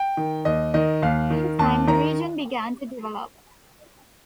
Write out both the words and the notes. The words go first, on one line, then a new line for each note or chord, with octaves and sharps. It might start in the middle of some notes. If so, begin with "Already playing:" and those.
In time, the region began to develop.
Already playing: G5
D#3
D#2 D#5
D#3 D#5
D#2 F5
D#3
D#2 A5
D#3 A#5